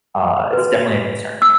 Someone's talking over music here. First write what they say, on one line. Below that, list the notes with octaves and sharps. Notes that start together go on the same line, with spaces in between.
uh, it's definitely a concern.
F#4 B4
E6